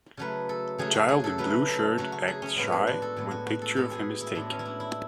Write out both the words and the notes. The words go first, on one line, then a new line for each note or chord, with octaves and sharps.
Child in blue shirt acts shy when picture of him is taken.
C#3 F#3 A3 B4
A4
C#3 F#3 A3 G#4
F#4
G#4
A4
C#3 F#3 A3 B4
A4
C#3 F#3 A3 F#4
F#4
G#4
C#4
A2 G#3 B3 C#4
D4
F#4
A4
A2 G#3 B3
F#4
F#4
A4
A2 G#3 B3 A4
G#4
E4
A2 G#3 B3 D4
C#4
E4
D4
E4